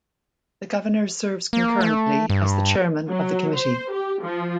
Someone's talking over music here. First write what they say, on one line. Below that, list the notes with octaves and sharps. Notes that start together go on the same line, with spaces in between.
The Governor serves concurrently as the Chairman of the Committee.
A#3
A3
G2
F#3
C5
G4
F3